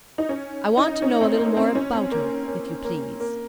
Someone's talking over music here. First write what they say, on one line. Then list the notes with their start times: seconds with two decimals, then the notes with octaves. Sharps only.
"I want to know a little more about her, if you please."
0.18 D#4
0.29 C#4
0.77 D#4
1.02 C#4
1.21 C4
1.38 A#3
1.57 C4
1.75 C#4
1.93 C4
2.12 A#3
2.47 A#3
2.84 A#3
3.20 A#3